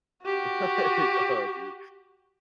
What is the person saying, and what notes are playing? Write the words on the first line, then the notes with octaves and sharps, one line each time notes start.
Right on, dude.
F#4 G4